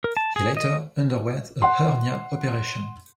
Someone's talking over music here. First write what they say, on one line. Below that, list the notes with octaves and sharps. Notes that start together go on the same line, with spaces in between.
He later underwent a hernia operation.
A#4
A5
G#4
D#5
F#5 C6